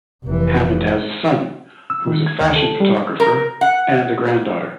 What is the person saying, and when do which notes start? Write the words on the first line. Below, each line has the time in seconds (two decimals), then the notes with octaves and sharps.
Hammond has a son, who is a fashion photographer, and a granddaughter.
0.24 F1 E3
1.90 E6
2.07 D#3
2.27 G#6
2.41 D2
2.56 A4
2.80 G3
3.20 A#4
3.61 F#5